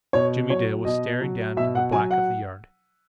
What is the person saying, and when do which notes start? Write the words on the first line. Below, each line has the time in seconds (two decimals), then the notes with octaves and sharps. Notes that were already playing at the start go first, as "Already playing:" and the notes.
Jimmie Dale was staring down into the black of the yard.
0.13 B2 C#5
0.50 F#3 C#5
0.85 B2 D#5
1.21 F#3
1.57 B2 E5
1.75 F#5
1.92 F#3 G#5
2.11 F#5